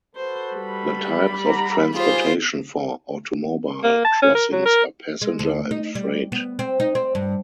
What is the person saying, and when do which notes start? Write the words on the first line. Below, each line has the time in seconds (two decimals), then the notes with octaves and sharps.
The types of transportation for automobile crossings are passenger and freight.
0.16 F#4 A4 B4 C5
0.56 G3 B5
1.45 F#5 A#5
1.95 F4 G4 G#4 C5
3.83 A#3
4.05 A5
4.22 C#4
4.35 A#4
4.52 F#3
4.65 A#4
5.22 G#3
5.39 D2
5.71 D#4
5.95 G3
6.32 B3
6.59 C4
6.80 D#4
6.95 C4
7.15 G2